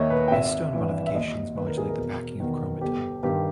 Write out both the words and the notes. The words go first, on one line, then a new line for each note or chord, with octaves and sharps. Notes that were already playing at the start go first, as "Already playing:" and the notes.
Histone modifications modulate the packing of chromatin.
Already playing: D#2 D#3 C#5 D#5 E5
B4
G5
G#1 E5
G2 E3
E5
D#2 D#5
D#3 B4
A#4
G#4
A#4
E1
E2 D#3
G1 G4
G2 D#3 G4